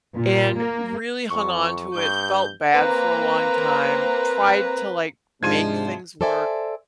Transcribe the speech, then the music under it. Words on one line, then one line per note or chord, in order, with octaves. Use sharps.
and really hung onto it, felt bad for a long time, tried to, like, make things work
A#2
A#3
F2 C#6
G2 G6
A#3 C4 B4 A#5
G#2 C3 F3 G#3 D4 F4 G#6 D#7
A4 C5 D5 E5 G#5